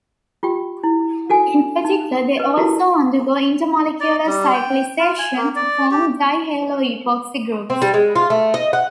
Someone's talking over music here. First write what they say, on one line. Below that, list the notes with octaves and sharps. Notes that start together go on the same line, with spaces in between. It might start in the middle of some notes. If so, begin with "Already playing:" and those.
In particular they also undergo intramolecular cyclisation to form dihaloepoxy groups.
F4 G4 G5
E4
F#4 A4 G#5
D#4
B4 D#5
E4 F#4 G4 A4 A#4 A5
D5
G3
G5
F4
G#5
A#3
D5
G4
C4
G3
G#3
F4
A3
D#5
F#5